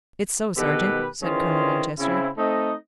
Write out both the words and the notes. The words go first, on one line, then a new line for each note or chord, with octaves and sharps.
"It's so, sergeant," said Colonel Winchester.
B2 D#3 G4 A4 B4
D#3 E3 C#4 F4 G#4 C5
C#3 C4 E4
A3 C4 D#4 D#5